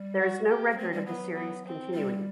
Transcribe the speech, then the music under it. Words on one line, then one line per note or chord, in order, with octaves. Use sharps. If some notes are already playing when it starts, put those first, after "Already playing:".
There is no record of the series continuing.
Already playing: G3
F#4
G4
G3
A3 C4
G3
F#3 B3
B3
C4
G3